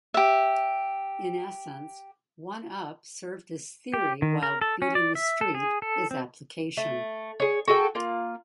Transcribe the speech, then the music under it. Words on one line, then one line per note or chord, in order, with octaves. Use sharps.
In essence, "One Up" served as theory while "Beating the Street" is application.
G4 E5
G4
D#3
A#4
A4
C#4
D5
E5
A4
G#4
A4
C4
A3
G#4 C#5
F#4 G#4 A4 G5
A#3 F4